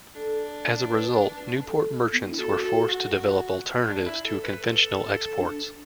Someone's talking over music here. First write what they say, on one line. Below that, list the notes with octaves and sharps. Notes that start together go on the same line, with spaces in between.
As a result, Newport merchants were forced to develop alternatives to conventional exports.
D4 A4
B4
A4
B3
D4
E4
F#4 A4
A4
F#4
D4
E4
A4
B4
A4
D4